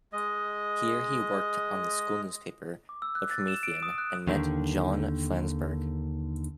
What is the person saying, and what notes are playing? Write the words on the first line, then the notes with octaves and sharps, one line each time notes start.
Here, he worked on the school newspaper, the "Promethean", and met John Flansburgh.
G#3 D#5
D6
E6
F#6
A6
E7
D7
D#6
F#6
D#2 D3 D#3